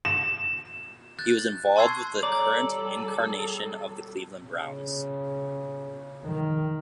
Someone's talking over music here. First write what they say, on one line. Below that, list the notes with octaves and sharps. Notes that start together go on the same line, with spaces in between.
He was involved with the current incarnation of the Cleveland Browns.
E7
F#6 G6 A6
A5 C6 C#6 E6 G#6 C7
G3 A4 C#5 D5 A#5
C#3
D#3